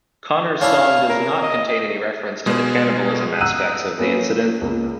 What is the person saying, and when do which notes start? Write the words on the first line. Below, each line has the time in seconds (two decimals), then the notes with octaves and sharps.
Connors' song does not contain any reference to the cannibalism aspects of the incident.
0.61 C#4 D4 E4 F5
1.09 A#4
1.42 D#5
2.46 B2 G#3 G#4
3.40 F#5 A#5 D#6 E6 F#6 D#7
3.99 A#3 C#4 B4
4.61 C#2 A#3